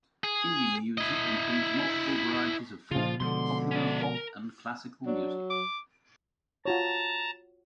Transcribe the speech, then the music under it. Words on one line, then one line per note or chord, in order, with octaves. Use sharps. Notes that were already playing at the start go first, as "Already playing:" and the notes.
Indian music includes multiple varieties of folk, popular, pop, and classical music.
G#4
E4 D#5
A#2 C#3 F3 F4
B2 D3 F3 G#3 C6
C#4 D5
A#4
F#3 D4
D6
F4 F#4 C#5 A5 A#5